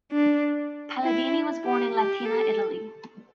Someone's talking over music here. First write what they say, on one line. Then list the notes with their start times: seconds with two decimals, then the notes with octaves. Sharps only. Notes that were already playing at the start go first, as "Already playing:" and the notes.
Palladini was born in Latina, Italy.
0.12 D4
1.03 E4
1.64 G4
1.95 G4
2.26 A4